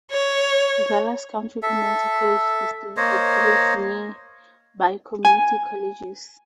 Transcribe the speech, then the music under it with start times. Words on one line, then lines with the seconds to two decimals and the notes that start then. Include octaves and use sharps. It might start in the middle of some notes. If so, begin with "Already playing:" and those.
Dallas County Community College District operates nearby community colleges.
0.12 C#5
1.63 A4 E5
2.97 A#3 C5 C#5 D#5
5.25 G#5